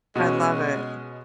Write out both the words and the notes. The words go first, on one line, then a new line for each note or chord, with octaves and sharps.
I love it.
B2 G#3 C#4